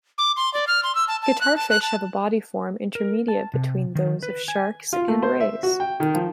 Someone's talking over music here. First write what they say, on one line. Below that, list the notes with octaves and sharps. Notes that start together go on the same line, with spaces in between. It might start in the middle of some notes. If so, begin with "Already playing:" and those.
Guitarfish have a body form intermediate between those of sharks and rays.
D6
C6
D5
F6
C6
E6
A5
A5
F#6
A5
F#6
A5
A#4
A5
C3
D#3
B4
G#5
F4
A3
C5
E5
F#4
G5
D#3
F3